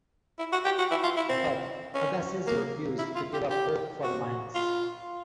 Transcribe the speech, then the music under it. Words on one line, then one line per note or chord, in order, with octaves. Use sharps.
But Agassiz refused to give up hope for the mines.
E4
F#4
G4
F#4
E4
F4
E4
C4
C#4
A#3
E4
F4
G4
G4
F#4
F4